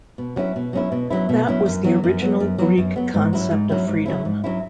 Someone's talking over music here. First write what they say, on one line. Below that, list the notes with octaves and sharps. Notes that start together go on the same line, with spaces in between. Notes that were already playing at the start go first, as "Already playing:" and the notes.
That was the original Greek concept of freedom.
B2
F#3 C#4 E4
B2
F#3 C#4 E4
B2
F#3 C#4 E4
B2
F#3 C#4 E4
F#2
F#3 B3
F#2
F#3 B3
F#2
F#3 B3
F#2
F#3 B3
G#2
F#3 C#4 E4
G#2
F#3 C#4 E4
G#2
F#3 C#4 E4
G#2
F#3 C#4 E4